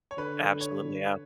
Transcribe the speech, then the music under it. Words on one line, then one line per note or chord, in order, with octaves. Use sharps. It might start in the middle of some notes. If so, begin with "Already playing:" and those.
Absolutely, yeah.
C#5
D3 B4
C#5